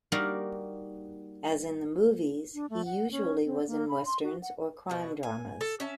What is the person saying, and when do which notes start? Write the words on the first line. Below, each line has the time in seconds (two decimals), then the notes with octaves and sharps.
As in the movies, he usually was in westerns or crime dramas.
0.12 G3 A#3 D#4 F#4 A#4 D5
2.54 D4
2.70 A3
2.85 F#5
3.11 C#4
3.46 C4
3.67 A#3
3.89 B5
4.06 C6
4.23 F#4
4.42 F#5
4.90 B2 F#4
5.23 G#5
5.61 A4
5.80 C#4 E5 A5